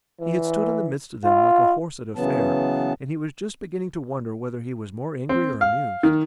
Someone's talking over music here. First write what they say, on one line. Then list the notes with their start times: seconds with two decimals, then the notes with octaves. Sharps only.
He had stood in the midst of them like a horse at a fair, and he was just beginning to wonder whether he was more angry or amused.
0.20 E3
1.24 F4
2.16 C#3 E3 F#3 B3 A5
5.29 C4
5.61 F5
6.03 D#3